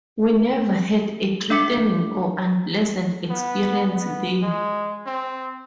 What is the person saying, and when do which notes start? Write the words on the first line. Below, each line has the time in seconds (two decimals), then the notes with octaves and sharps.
We never had a threatening or unpleasant experience there.
1.50 D4 E5 D6 B6 C#7
3.30 B3
3.95 B3
4.43 G#3
5.06 C4